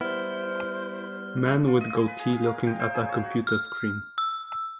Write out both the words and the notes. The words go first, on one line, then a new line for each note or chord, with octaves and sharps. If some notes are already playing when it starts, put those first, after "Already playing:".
Man with goatee looking at a computer screen.
G3 B3 E4 C5 F6
F4
D#5
G#5
B4
G#4
F5
A#4
G5
C5
G#4
C#5
F#4
F6
E6